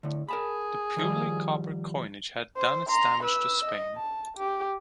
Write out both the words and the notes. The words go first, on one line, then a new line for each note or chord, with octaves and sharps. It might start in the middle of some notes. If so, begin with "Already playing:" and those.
The purely copper coinage had done its damage to Spain.
A2 D3
G#4 A#4 A5 B5
D#3 F3 G3
C5
A#5 C6
B4 E6
D#5
A5
G4